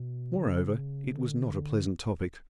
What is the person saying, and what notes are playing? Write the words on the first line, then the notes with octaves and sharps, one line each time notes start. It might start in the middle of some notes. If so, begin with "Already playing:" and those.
Moreover, it was not a pleasant topic.
Already playing: B2
D3
C#3
D3